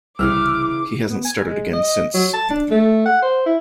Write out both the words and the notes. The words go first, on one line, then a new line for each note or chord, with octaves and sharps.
He hasn't started again since.
C2 C#3 E3 G#4 D6 E6 F6
B3
G#5
G#3
D#5
F#3
A5
D4
A3
F#5
C5
E4